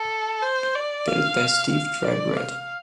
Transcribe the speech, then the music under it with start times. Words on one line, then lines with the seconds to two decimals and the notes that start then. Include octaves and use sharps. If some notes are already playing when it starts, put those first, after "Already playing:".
Built by Steve Drybread.
Already playing: A4
0.42 C5
0.75 D5
1.07 F5
1.72 F5
2.04 D5
2.37 F5